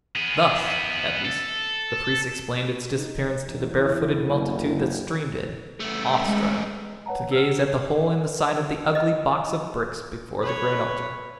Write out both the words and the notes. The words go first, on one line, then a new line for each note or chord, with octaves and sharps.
Thus, at least, the priests explained its disappearance to the barefooted multitude that streamed in, awestruck, to gaze at the hole in the side of the ugly box of bricks before the great altar.
B3 G#4
A4
D#4
E2
E4
F#1
A3 B3
G#3
B4 C#5 F#5 A5 A#5
E6 F6
D#5
B4 C#5